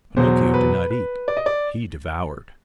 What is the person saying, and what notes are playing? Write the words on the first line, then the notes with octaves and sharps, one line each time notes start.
Pinocchio did not eat; he devoured.
E2 B2 F#3 C5
B4
B4
D5
D#5
D5